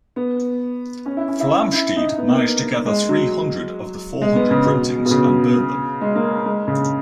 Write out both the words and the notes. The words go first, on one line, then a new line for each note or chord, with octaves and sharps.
Flamsteed managed to gather three hundred of the four hundred printings and burned them.
B3
C#4
E4
C#4
E4
E4
E4
D#4
D#4
B3
A#3
G#3
F#3
G#3
B3
C#3
B2
B2
C#3
G#3
A#3
G#3
C#3